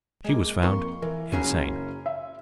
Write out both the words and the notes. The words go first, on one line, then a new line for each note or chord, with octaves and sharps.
She was found insane.
G#3 A#3
F2 A#3 C6 C#6
E3 A#4
F#1 C#4 F#4 G#4 A#4 D#7
E5